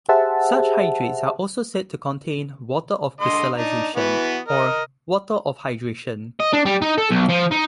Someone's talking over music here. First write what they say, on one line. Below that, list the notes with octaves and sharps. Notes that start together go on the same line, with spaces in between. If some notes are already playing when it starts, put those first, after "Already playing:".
Such hydrates are also said to contain "water of crystallization" or "water of hydration".
G4 G#4 C5 E5 F#5 A5
D3 D#5 C6
D4 D#4
E3 B3 F#4
A#4 D#5
D#5
D4
G3
D#4
A4
B1
F3
D#4